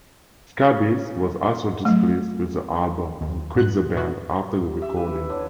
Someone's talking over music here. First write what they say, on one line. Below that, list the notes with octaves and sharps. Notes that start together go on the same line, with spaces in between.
Scabies was also displeased with the album, and quit the band after the recording.
F#3 A3
D#2
G#2 F#6
B2 B3 F#4
G4
E5
E3 B4
D3 C#5